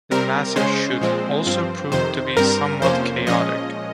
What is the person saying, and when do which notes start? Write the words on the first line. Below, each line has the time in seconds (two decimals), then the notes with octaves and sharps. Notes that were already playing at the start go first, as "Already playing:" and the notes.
The massive shoot also proved to be somewhat chaotic.
0.11 C3 G3 C4 A#4
0.56 C#3 G#3 C#4 C5
1.01 A#2 F3 G#3 C4
1.46 G2 F3 C4
1.92 F2 C3 D#3 C5
2.37 G2 G3 C4 A#4
2.82 F2 C3 F3 A#3 C#4 C5
3.27 A#2 F3 G#3 C#4 D#5